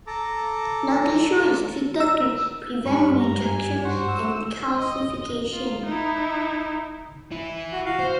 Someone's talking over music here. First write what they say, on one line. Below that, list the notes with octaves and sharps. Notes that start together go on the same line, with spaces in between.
The tissue is treated to prevent rejection and calcification.
A4 A5 A#5 D6
E6
G2 B5 C#6
A#5
G#5
F#4 C5 F#5
E6
D#5
F4
D#4 E4
E3 E4
F#4
F#4 F5
C5